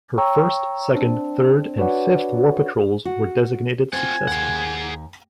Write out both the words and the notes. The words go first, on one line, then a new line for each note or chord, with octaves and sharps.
Her first, second, third, and fifth war patrols were designated successful.
C#5 G5 A#5 C#6 E6
C4 D4 C5
D4 F#4 B4 C#5 D5 F#5
F#4
C4 F4 F#5 G#5
D#2 G#4 F#5